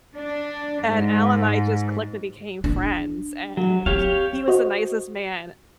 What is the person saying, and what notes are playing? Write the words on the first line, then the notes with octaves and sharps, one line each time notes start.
and Alan and I just clicked and became friends, and he was the nicest man
D4
G#2
D4
F#3
C4 G4 C#5 F5
F#4 C5 D#5